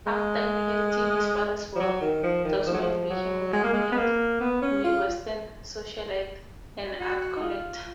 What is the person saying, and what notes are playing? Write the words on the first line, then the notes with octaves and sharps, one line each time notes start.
After inheriting his father's wealth, Dousman became a prominent Midwestern socialite and art collector.
G#3
F3
F#3
D#3
F3
D#3
F3
F#3
F3
F#3
G#3
A#3
G#3
B3
A#3
B3
C#4
F4
F#4
D#4
F4